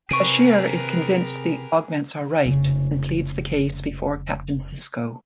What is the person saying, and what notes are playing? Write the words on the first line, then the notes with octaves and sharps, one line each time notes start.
Bashir is convinced the augments are right, and pleads the case before Captain Sisko.
C3 G4 G#4 A#4 B4 C#6 D7 D#7
F1 C#3